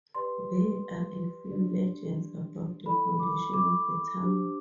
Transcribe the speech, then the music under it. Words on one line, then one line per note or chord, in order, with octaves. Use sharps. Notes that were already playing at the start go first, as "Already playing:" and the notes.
There are a few legends about the foundation of the town.
G4 B4 D5 C6
D4 G4 D5
E4 A4 D5 B5
D6
D6
D4 G4 C5